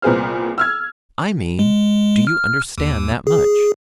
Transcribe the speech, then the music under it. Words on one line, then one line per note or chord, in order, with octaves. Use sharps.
"I mean, do you understand that much?"
C2 A#2 B3 G#4 C5 F6
E6 F6 G#6
G#3
F6
D#2
G#4